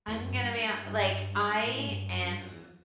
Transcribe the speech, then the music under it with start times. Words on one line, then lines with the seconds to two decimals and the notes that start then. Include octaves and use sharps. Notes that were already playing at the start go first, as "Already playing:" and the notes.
I'm gonna be ho like, I am
0.08 E2
0.20 F#2
0.32 G2
1.65 A2
1.87 G2
2.09 F#2
2.31 G2
2.41 F#2
2.52 E2